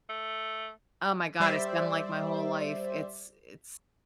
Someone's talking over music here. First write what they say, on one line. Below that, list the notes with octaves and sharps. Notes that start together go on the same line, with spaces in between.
Oh my god, it's been, like, my whole life, it's it's
A3
G3 C5 D5 E5